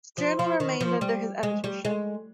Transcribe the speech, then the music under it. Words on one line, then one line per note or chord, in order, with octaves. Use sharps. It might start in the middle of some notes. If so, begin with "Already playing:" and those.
The journal remained under his editorship.
F3
F3
D#3
F3
G3
G#3
G3
G#3